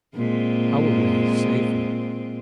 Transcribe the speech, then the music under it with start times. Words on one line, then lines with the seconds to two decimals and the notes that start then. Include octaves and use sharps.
Our way is safer.
0.14 A#2 G#3 C4